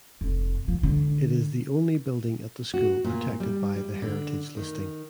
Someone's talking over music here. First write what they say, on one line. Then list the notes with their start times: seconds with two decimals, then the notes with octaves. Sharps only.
It is the only building at the school protected by the heritage listing.
0.21 F1
0.68 F3
0.83 D3
2.74 F#4
3.04 A#2
3.40 G3
3.76 G3
4.02 D3
4.57 D#3